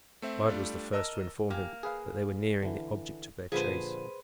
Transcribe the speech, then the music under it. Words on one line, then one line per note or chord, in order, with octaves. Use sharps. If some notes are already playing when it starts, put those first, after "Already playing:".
Bud was the first to inform him that they were nearing the object of their chase.
A3 C4 E5
G3 A3 D4 F4
A#4 D#5 A5 E6
A#3 G4 G#5
G#4 B4 F5
D3 E3
A#2 D3 F3 G#4 B4 C5